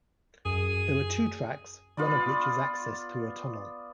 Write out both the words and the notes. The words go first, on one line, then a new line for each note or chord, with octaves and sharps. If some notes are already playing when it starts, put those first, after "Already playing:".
There are two tracks, one of which is accessed through a tunnel.
F#2 G#4
B3 F4 B4 D5